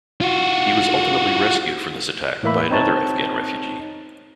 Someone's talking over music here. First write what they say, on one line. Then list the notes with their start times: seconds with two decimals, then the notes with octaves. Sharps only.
He was ultimately rescued from this attack by another Afghan refugee.
0.21 F4 F#4
2.43 A2 E3 A#3 E5 B5
2.70 C4 D#4 C#5 A5